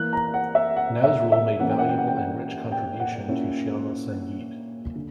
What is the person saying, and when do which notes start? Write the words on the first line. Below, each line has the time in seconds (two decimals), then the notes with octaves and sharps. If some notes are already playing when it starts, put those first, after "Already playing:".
Nazrul made valuable and rich contribution to Shyama Sangeet.
Already playing: E3 A#3 E4 F#6
0.13 A#5
0.34 F#5
0.55 E5
0.76 F#5
1.04 E5
1.32 E5
1.59 E3 A#3 C#4 F#5
1.70 G5
1.79 F#5
1.89 G5
1.98 F#5
2.07 G5
2.17 F#5
2.72 G5
3.00 F#5
3.27 A#2 A#3 C#4 E4
4.95 D3